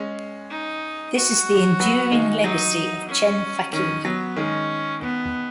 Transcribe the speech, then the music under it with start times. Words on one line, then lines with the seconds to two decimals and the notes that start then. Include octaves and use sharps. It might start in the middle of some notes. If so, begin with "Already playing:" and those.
This is the enduring legacy of Chen Fake.
Already playing: G#3 C#4
0.50 D#4
1.15 F#4
1.80 F#3 B3
2.12 D#3 G#3
2.44 F#3 D#4
3.08 C#4
3.72 D#3 C#4
4.05 F#3 B3
4.36 D#3 G#3 C#4
5.02 B3